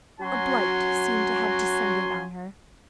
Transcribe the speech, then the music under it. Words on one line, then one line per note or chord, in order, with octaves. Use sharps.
A blight seemed to have descended on her.
F#3 C#4 F#4 G#5 C6